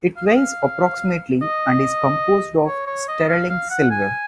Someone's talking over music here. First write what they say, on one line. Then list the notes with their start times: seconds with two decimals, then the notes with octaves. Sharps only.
It weighs approximately and is composed of sterling silver.
0.16 F5
0.26 D#5
0.35 F5
1.41 D#5
2.67 C#5
2.87 C#5
3.08 D#5
3.28 F5
3.50 F5
3.70 F#5
3.90 G#5